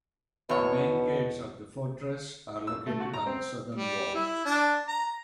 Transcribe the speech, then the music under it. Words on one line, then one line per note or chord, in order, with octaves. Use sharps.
The main gates of the fortress are located on the southern wall.
E2 B2 C#5
E6
A3
F#4
A#5
C4
G3
E4
D4
A#5